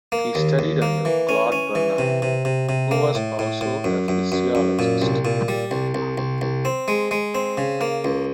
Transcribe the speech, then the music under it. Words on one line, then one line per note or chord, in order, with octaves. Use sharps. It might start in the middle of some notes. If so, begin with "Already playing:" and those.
He studied under Claude Bernard, who was also a physiologist.
A#3
D#2
D#2
A#3
E3
C#4
C#4
E3
C3
C3
C3
C3
A#3
A2
A2
A2
F#2
F#2
F#2
F#2
A#2
C2
A#2
G3
C2
C2
C2
C2
C4
G#3
G#3
C4
C#3
A#3
C#2